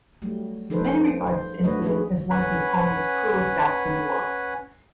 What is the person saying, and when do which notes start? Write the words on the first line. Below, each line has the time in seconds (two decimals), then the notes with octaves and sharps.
Many regard this incident as one of Napoleon's cruelest acts in war.
0.22 F#3 G3 A3
0.70 F3 D#4 A4 B4 C5
1.27 C5
1.64 A3 D4 F#4 B4 C#5 D#5
1.82 F3 F#3 G#3 C#4 G#4 B4
2.30 C#4 B4 F#5 G#5 B5